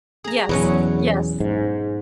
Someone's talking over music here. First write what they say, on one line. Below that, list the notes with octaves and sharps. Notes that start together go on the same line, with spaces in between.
Yes, yes.
G#4 A#5
E2 B2 F#3 C#4
G#2